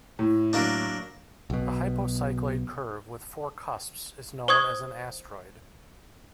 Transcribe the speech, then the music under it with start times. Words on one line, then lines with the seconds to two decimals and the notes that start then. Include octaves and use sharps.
A hypocycloid curve with four cusps is known as an astroid.
0.19 A2
0.53 F#3 A#3 D4
1.50 B1 B2
4.48 C5 C#6 D#6 G#6